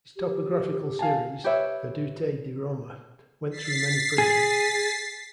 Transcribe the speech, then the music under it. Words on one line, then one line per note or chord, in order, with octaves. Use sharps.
His topographical series, "Vedute di Roma", went through many printings.
G4
F5 G#5 A5
G4 B4 C#5 E5
A6 B6 C7
G#4